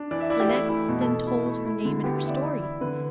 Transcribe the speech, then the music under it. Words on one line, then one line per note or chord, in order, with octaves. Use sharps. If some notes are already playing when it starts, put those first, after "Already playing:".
Lineik then told her name and her story.
Already playing: D4
E3 D5
E5
E4 D5
G4
A3 E4
E3 E4
B2
A4
B2
E4
A3
E4
D3
B3 G4
E4
E3 E5
D5
E4
E4
D3 B4